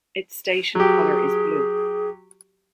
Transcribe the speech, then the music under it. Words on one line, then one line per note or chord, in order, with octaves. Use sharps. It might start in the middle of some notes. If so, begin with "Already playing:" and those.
Its station colour is blue.
F#3 G4 G#4